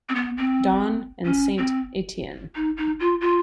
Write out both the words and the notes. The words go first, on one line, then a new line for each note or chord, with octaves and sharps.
Dawn, and Saint Etienne.
C4
B3
C4
C#4
C4
D#4
D#4
F4
F4